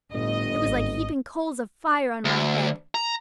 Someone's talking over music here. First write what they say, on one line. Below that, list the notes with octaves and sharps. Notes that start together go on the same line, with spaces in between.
It was like heaping coals of fire on my head.
G1 A2 D#5
G#1
D2
A#5